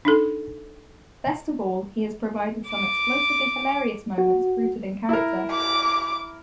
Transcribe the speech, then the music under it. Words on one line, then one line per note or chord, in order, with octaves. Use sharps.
Best of all, he has provided some explosively hilarious moments rooted in character.
D4 D#4 A4
D6
F#4
E4 A#4
D6